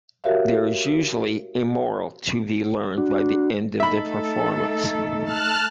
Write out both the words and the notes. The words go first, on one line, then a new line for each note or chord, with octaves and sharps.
There is usually a moral to be learned by the end of the performance.
F#4 G4 A#4 C#5 E5 F5
D4 F#4
A3 D#4 A4 E5 B5
A5 F6 F#6